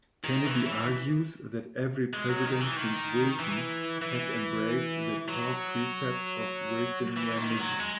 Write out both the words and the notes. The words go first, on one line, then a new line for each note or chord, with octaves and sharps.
Kennedy argues that every president since Wilson has embraced the core precepts of Wilsonianism.
D#3
E3
E3
G#3
F#3
D#3
E3
D#3
E3
E3
F#3
E3
D#3
F#3
G#3